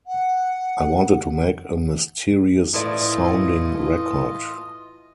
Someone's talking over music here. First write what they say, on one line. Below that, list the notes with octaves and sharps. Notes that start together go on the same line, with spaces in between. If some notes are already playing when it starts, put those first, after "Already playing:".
I wanted to make a mysterious sounding record.
F#5
A2 E3 A3 E4 F4 D5 D#5